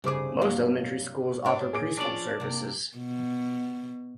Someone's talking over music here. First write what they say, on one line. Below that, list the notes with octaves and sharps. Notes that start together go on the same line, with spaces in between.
Most elementary schoold offer preschool services.
C2 G2 C#3 G#4 C5 D6
G2 F#3 A#3 F5
G#2 D4 C#5
A#2 G#4 D6 D7
F3 C#4 D4 D5
C3 A#3
B2